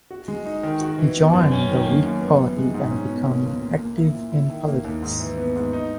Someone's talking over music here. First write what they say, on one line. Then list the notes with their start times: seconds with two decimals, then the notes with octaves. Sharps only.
He joined the Whig Party and became active in politics.
0.11 F#4
0.28 G#3
0.46 D#4
0.63 D#3
0.81 F#4
0.98 E3
1.16 B3
1.33 F#2
1.52 C#4
1.69 D#3
1.86 A#3
2.03 F#2
2.21 B3
2.39 E3
2.57 G#3
2.74 G#2
2.91 C#4
3.09 B2
3.27 A#3
3.45 C#2
3.61 A#2
3.79 A#3
3.97 E4
4.15 A#2
4.32 E4
4.50 D#3
4.67 A#3
4.84 D#2
5.02 G#2
5.20 E3
5.37 B3
5.56 G#2
5.73 D#4